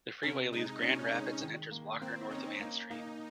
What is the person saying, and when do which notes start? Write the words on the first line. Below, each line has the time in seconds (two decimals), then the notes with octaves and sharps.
The freeway leaves Grand Rapids and enters Walker north of Ann Street.
0.23 C3 C#4
0.53 G#3 D#4
0.82 C3 C#4
1.12 G#3
1.42 D#3
1.71 A#3
2.01 A#3 C4
2.31 C#4 D#4
2.60 A#3 D#4
2.90 A#3 D#4